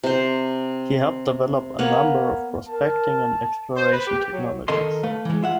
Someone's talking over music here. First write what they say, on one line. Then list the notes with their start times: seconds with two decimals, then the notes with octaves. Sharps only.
He helped develop a number of prospecting and exploration technologies.
0.03 C3 C5
1.79 A#3 B3 C#5
2.68 A#4 A5
3.77 C5
3.92 B4
4.07 G4
4.19 G4
4.33 F#3
4.68 D#3 A4 A#4 D#5 C6
5.03 A3 B4 F5
5.25 E3 G#3
5.43 F4 E5 F#5